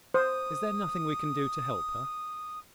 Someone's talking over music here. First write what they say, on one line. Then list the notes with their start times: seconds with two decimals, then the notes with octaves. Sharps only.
"Is there nothing we can do to help her?"
0.14 C5 D#6